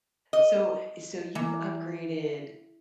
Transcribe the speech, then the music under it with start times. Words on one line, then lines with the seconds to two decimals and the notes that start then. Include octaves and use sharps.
so so you've upgraded,
0.33 D#5
1.35 E3